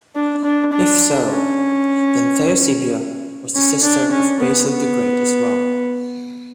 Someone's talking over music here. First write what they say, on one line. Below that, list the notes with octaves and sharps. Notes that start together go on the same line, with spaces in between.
If so, then Theosebia was the sister of Basil the Great as well.
D4
D4
D4
C#4
C#4
D4
C#4
B3
B3